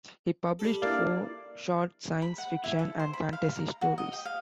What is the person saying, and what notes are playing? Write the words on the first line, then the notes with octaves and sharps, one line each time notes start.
He published four short science fiction and fantasy stories.
G3 A4
A#3 D4 E4 D5 F5
B5
F#5
E4
A4
C5
B5
F5
A#5
F#4
D#5
G5
F5